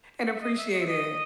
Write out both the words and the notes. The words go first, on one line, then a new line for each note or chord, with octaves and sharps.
and appreciate it.
F#5
E5
D#5
E5
D#5
E5
D#5